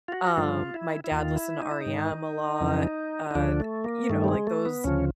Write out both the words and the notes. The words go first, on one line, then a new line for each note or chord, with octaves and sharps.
um, my dad listened to REM a lot, uh, th you know, like, those
F4
F#4
G2 D3 F3 F4
E4
E4
D#2 D#3 F4
E4
D#4
E4
D#4
G#2 D#3
F2 C#3 E3
D#4
D2 D3 F3 D4
A3
A#3
G2 D#3 A3
G3
G#3
A3
B3
D2 C#3 F3 C#4